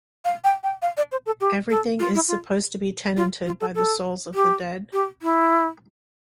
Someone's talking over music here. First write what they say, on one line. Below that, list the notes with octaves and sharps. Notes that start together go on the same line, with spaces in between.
Everything is supposed to be tenanted by the souls of the dead.
F5
G5
G5
F5
D5
C5
A4
G4
A4
F4
E4
F4
F4
F4
A4
A4
G4
G4
E4